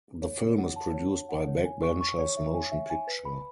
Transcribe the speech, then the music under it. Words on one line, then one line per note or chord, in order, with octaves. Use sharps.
The film is produced by Back Benchers Motion Picture.
C#5
C#5
F#5
A5
C#5
C#5
F#5
C#5
G#5
C#6
C#6
C#5
E5
G#5
E5
G#5
B4
B5